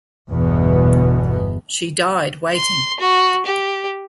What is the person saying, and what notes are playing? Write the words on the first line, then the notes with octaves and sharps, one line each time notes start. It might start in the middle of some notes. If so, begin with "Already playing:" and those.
She died waiting.
G1 E2 B2 B3
C6
F#4
G4